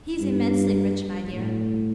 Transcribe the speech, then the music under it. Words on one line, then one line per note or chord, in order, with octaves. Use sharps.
He's immensely rich, my dear.
G2
A2